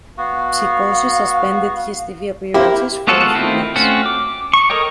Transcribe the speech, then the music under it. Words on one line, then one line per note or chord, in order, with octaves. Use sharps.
Psicosis suspended his TV appearances for a few weeks.
B3 F#4 F5
A#3 C4 E4 G4
G#3 B3 F4 F#4 A4
D#3 A3 C4 E4 F4
A3 C4 C#4 F4 F#4
D6
C#6
A4 A#4 C#5 D#5 G5